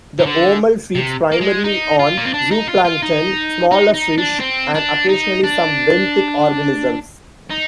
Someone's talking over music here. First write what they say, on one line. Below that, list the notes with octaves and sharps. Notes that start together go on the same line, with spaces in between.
The omul feeds primarily on zooplankton, smaller fish, and occasionally some benthic organisms.
D#3
D3
C3
A#3
G#3
D#4
F4
A#3
C4
D4
D#4
F4
F4
D#4
D#4
D#4
D4
C4
D4
D#4
D4
D#4